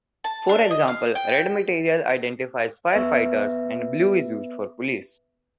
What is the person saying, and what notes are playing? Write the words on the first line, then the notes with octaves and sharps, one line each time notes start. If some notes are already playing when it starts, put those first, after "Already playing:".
For example, red material identifies fire fighters, and blue is used for police.
A5
D4
D#5
F5
G5
B3 B4 E5